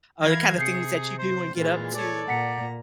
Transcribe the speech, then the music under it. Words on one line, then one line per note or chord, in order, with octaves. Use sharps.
or the, kinda, things that you do and get up to,
E3 A#4 F5 G#6
C3 G#4 G6 C7 C#7
C5
A#2 E3 G#3 F4
A4 C#5 D5
A#2 F#5 A#5 B6 C#7